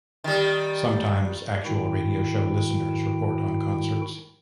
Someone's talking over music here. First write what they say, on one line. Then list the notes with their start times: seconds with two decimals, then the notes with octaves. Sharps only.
Sometimes, actual radio show listeners report on concerts.
0.24 D#3 G3
1.65 G#2 D#3 E4 F#4 G5